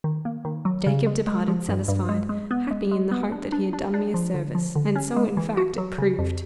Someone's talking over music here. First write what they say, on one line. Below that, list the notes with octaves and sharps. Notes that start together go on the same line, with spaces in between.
Jacob departed satisfied--happy in the hope that he had done me a service; and so in fact it proved.
D#3
A#3
D#3
F#3
C#3
G#3
G#3
F3
G2
G2
G#3
G#3
B3
G#3
G#3
B3
D4
D4
D4
D4
F3
D3
F3
D3
C#4
G#3
E3
F#4
F#3
C#3
F2